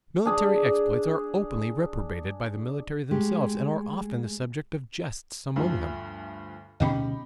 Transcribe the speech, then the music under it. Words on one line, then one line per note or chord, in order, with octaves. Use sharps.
Military exploits are openly reprobated by the military themselves, and are often the subject of jests among them.
D4 G#4
G#3 A3 G4
D2 G2 F3
D1 B2 C#4 D#4 G4 B5